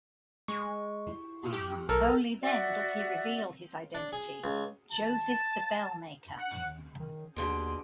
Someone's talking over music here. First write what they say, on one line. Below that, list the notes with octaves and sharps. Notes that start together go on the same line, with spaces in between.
Only then does he reveal his identity: Joseph the Bellmaker!
G#3 C#6
G4
B1 A4 A#4
F#4 D5 E5 F#5
D4
G#4
C#2
A5
F#5
D#3
D#2 B2 D3 G4 G#4 C6